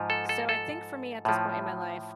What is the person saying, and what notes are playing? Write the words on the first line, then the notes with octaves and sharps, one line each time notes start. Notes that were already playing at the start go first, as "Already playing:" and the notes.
So, I think for me at this point in my life,
Already playing: G#2 F3
A4
A4
A4
A2 F3